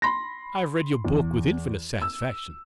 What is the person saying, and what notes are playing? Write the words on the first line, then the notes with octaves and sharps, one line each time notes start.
I have read your book with infinite satisfaction.
B5 C6 A#6
E2
E6